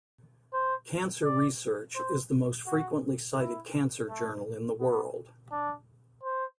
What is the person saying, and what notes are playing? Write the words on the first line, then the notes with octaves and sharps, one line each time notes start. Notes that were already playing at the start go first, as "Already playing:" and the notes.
"Cancer Research" is the most frequently cited cancer journal in the world.
C5
D5
C5
F#4
E4
A3
B3
D4
C5